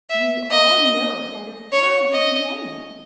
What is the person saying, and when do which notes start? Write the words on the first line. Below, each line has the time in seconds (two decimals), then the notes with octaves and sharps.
You all know that a flag is an emblem.
0.10 E5
0.50 D#5
1.72 C#5
2.12 D#5